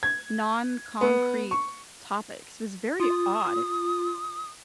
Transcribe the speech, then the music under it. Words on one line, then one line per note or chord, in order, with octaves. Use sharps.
non-concrete topics. It was very odd.
G#6
B3
C#6
F4 D#6